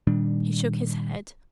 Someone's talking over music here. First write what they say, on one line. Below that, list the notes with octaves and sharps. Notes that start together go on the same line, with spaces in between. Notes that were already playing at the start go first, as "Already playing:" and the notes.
He shook his head.
A#2 D#3 G3 D4